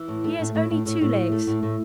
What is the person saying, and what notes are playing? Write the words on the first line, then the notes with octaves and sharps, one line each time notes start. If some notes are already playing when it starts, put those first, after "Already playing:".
He has only two legs!
Already playing: E3
A2
A3
A2
A2
A2
A2
A2
A3
A3
A2
A2